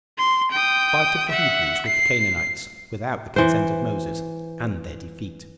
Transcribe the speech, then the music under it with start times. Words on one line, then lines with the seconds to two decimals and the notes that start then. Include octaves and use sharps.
Fight Of The Hebrews With The Canaanites Without The Consent Of Moses; And Their Defeat.
0.18 C6
0.51 G5 D#6
1.30 E5 F#5
1.86 C7
3.36 E3 C5